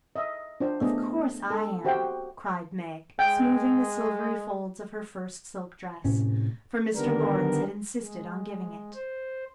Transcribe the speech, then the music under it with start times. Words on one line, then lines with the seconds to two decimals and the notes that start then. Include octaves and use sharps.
"Of course I am!" cried Meg, smoothing the silvery folds of her first silk dress, for Mr. Laurence had insisted on giving it.
0.16 D#5 E5
0.60 D4 F4 C5
0.82 A3 B3 D4 G#4 D#5
1.50 A4
1.84 F#4 G4 C5 E5 G5
3.19 G#3 G5
6.04 A2 C3 C#4
6.96 D3 D#3 G3 B3 D4 A#4
8.01 G#3
8.94 C5